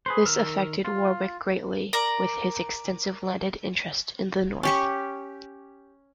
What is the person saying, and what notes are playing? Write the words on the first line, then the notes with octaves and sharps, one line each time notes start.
This affected Warwick greatly, with his extensive landed interest in the north.
G#4 B4 C5
D#3 A#4 E6 F6
F4
A#4 D5 A#5
C#4 G4 C#6